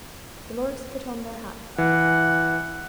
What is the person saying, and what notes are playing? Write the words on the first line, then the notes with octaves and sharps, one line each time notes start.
The lords put on their hats.
E3 F#5